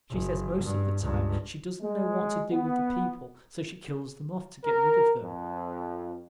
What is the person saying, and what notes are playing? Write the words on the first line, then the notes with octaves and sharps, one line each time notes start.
She says most of the time she doesn't know what to do with the people so she kills them off to get rid of them.
F#1
G2
C#2 G2
G#3
B3
A#4
F2